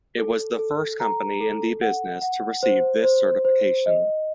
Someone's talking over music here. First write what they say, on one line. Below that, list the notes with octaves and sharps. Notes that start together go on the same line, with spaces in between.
It was the first company in the business to receive this certification.
A4
A4
A#5
A4
F#5
F#5
C5
C5
C5
D#5